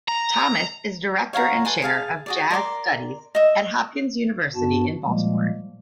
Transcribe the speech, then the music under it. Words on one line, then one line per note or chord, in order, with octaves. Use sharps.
Thomas is Director and Chair of Jazz Studies at Johns Hopkins University in Baltimore.
A#5
C#5 F5 F#5 A#5
A4 B4 G#5 C6
G#4 F5 A5
F#4 G#4 D5
A#4 D5 C6 D6
D#5 E5
G2 B3 F#4 A5
A#2 F3 G3 G#3 A#3